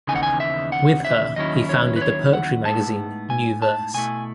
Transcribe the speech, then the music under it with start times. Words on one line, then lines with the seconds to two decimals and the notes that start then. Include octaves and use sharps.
With her, he founded the poetry magazine "New Verse".
0.07 D#2 C#3 E3 B3 D#4 G#5
0.15 F#5
0.23 G#5
0.40 E5
0.72 F#5
1.05 E5
1.36 D#2 D#3 F#3 C#4 E4 D#5
1.69 C#5
1.96 B4
2.01 C#5
2.33 F#5
2.65 A2 G#3 B3 D#4 A5
3.30 G#5
3.62 A5
3.94 B2 A3 E4 G#5